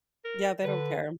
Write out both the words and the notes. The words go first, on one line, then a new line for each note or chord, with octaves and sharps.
Yeah, they don't care.
A#4
D3 B4